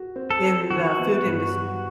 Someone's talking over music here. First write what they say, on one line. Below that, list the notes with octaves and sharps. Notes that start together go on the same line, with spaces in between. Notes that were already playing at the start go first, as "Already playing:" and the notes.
in the food indust
Already playing: F#4
C4
A4
F#3
D#3 F#4
B3
G2
F#3